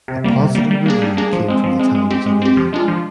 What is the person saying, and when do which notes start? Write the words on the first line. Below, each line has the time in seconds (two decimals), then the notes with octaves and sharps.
A positive review came from the "Times of India".
0.08 C3
0.24 G3 A#3
0.40 C3
0.55 G3 A#3
0.71 G3
0.86 A#3 D4 G#4
1.02 G3
1.17 A#3 D4 G#4
1.33 F3
1.48 G#3 C4
1.64 F3
1.79 G#3 C4
1.95 G#3
2.11 C4 G4
2.26 G#3
2.42 C4 G4
2.57 F3
2.73 G#3 D4 F4
2.88 F3